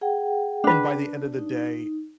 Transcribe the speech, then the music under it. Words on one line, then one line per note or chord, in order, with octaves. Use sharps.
And by the end of the day
G#4 F#5 G5
D4 B4
D#4